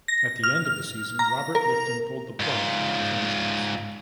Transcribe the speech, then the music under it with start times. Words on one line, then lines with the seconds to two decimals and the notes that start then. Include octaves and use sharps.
At the end of the season, Robert Lifton pulled the plug on the franchise.
0.08 A#6
0.44 F6
1.19 A#5
1.55 A#4
2.40 G#2 F4